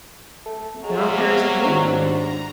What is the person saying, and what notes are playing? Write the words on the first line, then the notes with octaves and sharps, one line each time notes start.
now I'm perched, yeah.
A3
F#3 G#3 G#4 E5 F5
C3 B3 D6
G#2 D#3 D4 C#6
D4 A#5